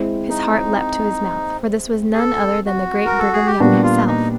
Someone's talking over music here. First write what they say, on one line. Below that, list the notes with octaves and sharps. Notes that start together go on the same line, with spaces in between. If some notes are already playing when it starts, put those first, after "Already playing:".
His heart leapt to his mouth, for this was none other than the great Brigham Young himself.
Already playing: G#3 C4 E4
D#4
G#4
A4
F#4
A#4
A4
G#4
G4
A#2 G3 B3 D4 F#4
F4
D#4